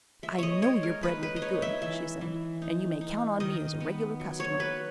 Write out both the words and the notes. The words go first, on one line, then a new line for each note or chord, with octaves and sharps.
"I know your bread will be good," she said, "and you may count on me as a regular customer."
G#3 E5
C#5 D#5
G#3 C#5
A#4
D#4 B4
B4
D#5
D#4 C#5
E5
E3 E5
E3
D#4
D#4
D#3 D#5
B3
F#3
C#5
F#3 B4